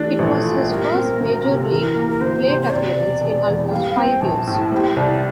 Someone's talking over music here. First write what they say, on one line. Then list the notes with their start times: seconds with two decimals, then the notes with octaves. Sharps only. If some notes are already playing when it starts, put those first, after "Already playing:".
It was his first major league plate appearance in almost five years.
Already playing: E3 A3 D4
0.11 G4
0.19 A#1 A4
0.45 A#2
0.64 C5
0.69 G3 A#4
0.94 C4
1.20 D2
1.45 C3
1.62 A4
1.71 E3 A#4
1.95 A#3
2.10 A#4
2.21 D2 C5
2.46 C3
2.62 C5
2.71 C3 D5
2.96 E1
3.21 E1
3.47 E2
3.67 G5
3.71 G3 F5
3.88 F5
3.97 C4 G5
4.21 A#1 A5
4.47 A2
4.71 G3 C5
4.97 C2 D5